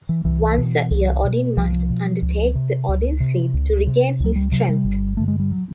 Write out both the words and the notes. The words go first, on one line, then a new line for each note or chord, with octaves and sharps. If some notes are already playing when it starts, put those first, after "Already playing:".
Once a year Odin must undertake the Odinsleep to regain his strength.
E3
C2 E3
B2
C2
B2
C2 F3
B2
C#2
C3
C#2
C3
C#2
C3
C#2 F#3
G3
C3 F#3
G3
G1
G2 D3 A3
G#3
G3
F#3